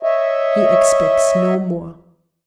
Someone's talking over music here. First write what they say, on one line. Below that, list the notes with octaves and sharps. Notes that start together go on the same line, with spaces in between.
"He expects no more."
C#5 D#5 E5